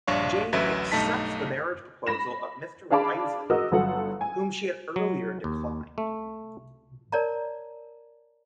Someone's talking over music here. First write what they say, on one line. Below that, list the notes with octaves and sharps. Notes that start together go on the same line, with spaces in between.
Jane accepts the marriage proposal of Mr. Wisley, whom she had earlier declined.
A#1 G2 D4 C#5 F5 C#6
A1 D2 F#3 C#4 B4 E5
B1 G2 A3 D#4 A5 B6
B5 A#6 E7
D4 G#4 F5 A5 B5 D6
F#4 G#4 A#4 D#5 D#6 E6
G1 F#3 A4 F#5
G#5
F#3
D#2
A3
A#4 C#5 D5 A5 A#5